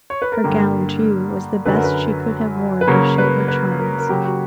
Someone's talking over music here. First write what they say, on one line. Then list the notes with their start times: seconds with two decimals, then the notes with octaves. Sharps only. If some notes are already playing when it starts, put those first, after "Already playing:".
Her gown, too, was the best she could have worn to show her charms.
0.10 C#5
0.22 B4
0.32 A#4
0.44 G2 D3 A#3 G4
1.65 F#2 D3 F#3 B4
1.75 A#4
1.84 B4
2.81 B4
2.87 C#3 F#3 A#3 C#5
3.18 B4
3.48 B4
3.79 A#4
3.98 A#4
4.09 C#3 F#3 A#3 G4
4.24 F#4